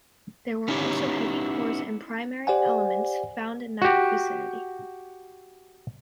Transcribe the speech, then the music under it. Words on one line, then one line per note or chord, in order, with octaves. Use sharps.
There were also heavy cores and primary elements found in that vicinity.
B3 C#4 D#4 E4 G4 C#5
G4 C5 D5 F#5 G#5
F#4 G4